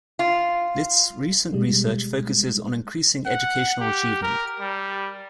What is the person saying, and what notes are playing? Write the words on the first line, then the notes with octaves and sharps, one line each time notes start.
List's recent research focuses on increasing educational achievement.
F4
B2 G3 G#3
F#5
G4
A#4
G3